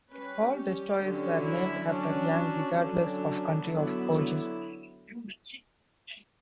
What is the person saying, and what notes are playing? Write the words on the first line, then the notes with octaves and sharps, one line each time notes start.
All destroyers were named after Yang regardless of country of origin.
G3 C#4 B4
G4
D3 F#3 C#4
E4
F#3 C#4 D4
D3 F#3 C#4 D4
D3 F#3 B3 E4